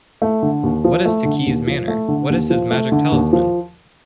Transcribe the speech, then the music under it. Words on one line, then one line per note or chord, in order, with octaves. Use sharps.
What is Saki's manner, what his magic talisman?
A3
D3
D#2
F3
A3
D3
D#2
F3
A3
D3
D#2
F3
A3
D3
D#2
F3